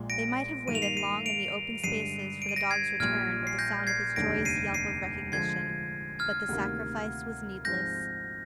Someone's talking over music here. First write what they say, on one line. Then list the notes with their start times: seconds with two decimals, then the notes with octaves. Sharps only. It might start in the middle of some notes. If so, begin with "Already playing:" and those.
They might have waited long in the open spaces for the dog's return or the sound of his joyous yelp of recognition, but the sacrifice was needless.
Already playing: A#1 A#2 G#3
0.10 A#6 D7
0.68 G2 D#3 A#3 D#7
0.75 F7
0.82 C7 D#7
0.97 C7 D#7
1.26 D7 F7
1.84 G2 D3 G#3 C7 D#7
2.42 D7
2.49 D#7
2.56 A#6 D7
2.71 G#6 C7
3.00 A#1 A#2 G3 F6 G#6
3.47 C7
3.59 G6 A#6
3.87 G#6 C7
4.16 F1 D#2 D3 G3 D4 A#6 D7
4.45 C7 D#7
4.74 C7 D#7
5.32 D3 F3 G#3 G#6 C7
6.19 F6 G#6
6.49 D2 C3 D#3 A#3
7.65 G#1 G#2 F3 G#3 C4 G6 A#6